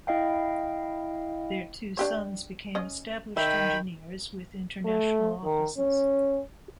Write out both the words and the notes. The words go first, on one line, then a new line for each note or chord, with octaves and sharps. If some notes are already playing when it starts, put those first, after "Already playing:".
Their two sons became established engineers with international offices.
E4 D#5 F5 G5
D4 G4 C#5
C#4 D#5
D#3 E5 G5 B5
A3
D#3
C#4